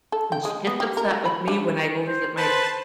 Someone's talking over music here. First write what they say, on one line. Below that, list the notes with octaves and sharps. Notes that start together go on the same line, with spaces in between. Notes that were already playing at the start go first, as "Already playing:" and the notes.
and she gets upset with me when I go visit my
A4
G5
G#3
B3
G4
A#4
F#4
B5
D4
C5
B4 C5 A5